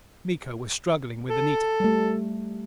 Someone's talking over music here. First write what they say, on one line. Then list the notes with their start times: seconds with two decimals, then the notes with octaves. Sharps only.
Miko was struggling with Anita.
1.30 A4
1.80 G3 A3